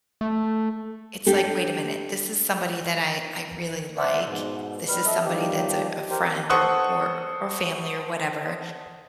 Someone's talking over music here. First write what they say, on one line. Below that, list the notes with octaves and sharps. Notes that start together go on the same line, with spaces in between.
it's like, “Wait a minute, this is somebody that I I really like, this is somebody that's a a friend or or or family or whatever,
A3
D4 G4 A4
C5 D5 E5 F#5
G#2 B2
G3 B4 B5 F6
A4 D#5 E5
D#3 F3 G3 G4
G4 A#4 C5
A4 C5 F#5 C#6 D#6 F#6